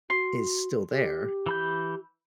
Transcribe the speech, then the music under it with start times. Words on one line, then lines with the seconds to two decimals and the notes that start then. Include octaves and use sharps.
is still there
0.10 F#4 C6
0.91 G4
1.46 E3 B5 G6